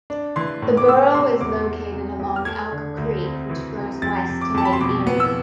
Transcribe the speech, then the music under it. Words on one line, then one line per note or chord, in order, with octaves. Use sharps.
The borough is located along Elk Creek, which flows west to Lake Erie.
D4
E3 C6
A2
D6
B3 E6
C3 C6
E2 D6
G#3
C3
E2
F6
A3 G#6
D3
D2
C4
E3
C3
F2 A6
C3
D6
F2 A5
B5
C6
B2 D6
B3
E6